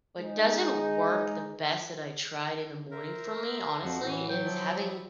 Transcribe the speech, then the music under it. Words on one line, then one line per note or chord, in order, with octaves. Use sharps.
what doesn't work the best that I tried in the morning for me, honestly, is having,
G#3 D#4
A#4 C5 E5 A#5
F2 F3 F#4
A2 E3
F#3 G5
F3 E4 D5 B5